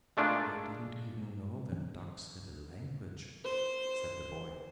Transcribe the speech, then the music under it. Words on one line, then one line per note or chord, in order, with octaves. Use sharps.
"I didn't even know that ducks had a language," said the boy.
G#3 A3 D4 F4 G#4 A#4
C5